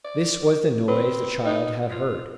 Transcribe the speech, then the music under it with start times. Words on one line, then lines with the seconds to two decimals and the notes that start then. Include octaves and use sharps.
This was the noise the child had heard.
0.05 D5
0.88 C4 B4
1.45 D#4
1.92 F4